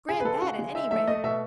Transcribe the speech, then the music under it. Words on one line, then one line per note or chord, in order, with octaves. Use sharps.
Grant that at any rate.
C#3 G#4
B4
G#3 A4
C#3 F#4
G#3
D#4 E5
A3 E5
A3 D#5
B2 E5